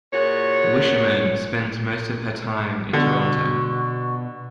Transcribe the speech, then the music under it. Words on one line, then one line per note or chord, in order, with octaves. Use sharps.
Wischermann spends most of her time in Toronto.
A#2 F#4 G#4 C#5
B2 D3 F#4